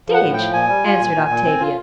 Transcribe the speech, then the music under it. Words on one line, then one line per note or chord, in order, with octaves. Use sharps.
"Stage," answered Octavia.
F3
F#5
A2
G5
F3
A#2 G#5
G3
F4
A#2
A#2
A#2
C4
F4